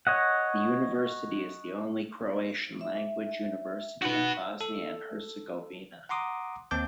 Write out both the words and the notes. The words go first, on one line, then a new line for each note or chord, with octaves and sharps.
The University is the only Croatian language university in Bosnia and Herzegovina.
C#5 D#5 F#5
E5
D#4 F#4 B4
A4
F#5 A#5 C6 D6 D#6
D#2 A#3 C4 A5 D6 G6